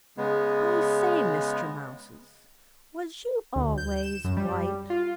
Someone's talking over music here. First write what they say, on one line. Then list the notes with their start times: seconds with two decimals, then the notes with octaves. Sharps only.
"I say, Mr. Mouses, was you always white?"
0.17 C#3 G#3 B3
3.55 D2
3.78 G6
4.02 E7
4.24 F#2
4.37 G3
4.90 F4